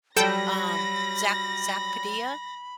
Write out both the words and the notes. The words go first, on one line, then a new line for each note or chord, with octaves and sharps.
um, Zack Zack Padilla
F#3 G3 A4 G5 B5 E6 A#6